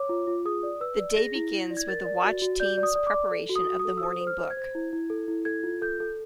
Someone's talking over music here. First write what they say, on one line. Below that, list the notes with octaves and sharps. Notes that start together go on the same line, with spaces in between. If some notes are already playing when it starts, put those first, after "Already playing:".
The day begins with the Watch Team's preparation of the Morning Book.
Already playing: C#5 D6
F4
F4
G#4 D#6
D5
B4 E6
D5
G#4 A#6
E4
E4
D5
G#6
A#4 A6
D5
F#4
F#4
D5 G6
D5
D#6
D5
D6
D5
A4
F#4
D#6
F#4
D#6
A4
E6
C5 D#6
C5
F6
C5
G#6
C5
E4
E4
A4
E4
A4 G#6
F4
A4 G6
A4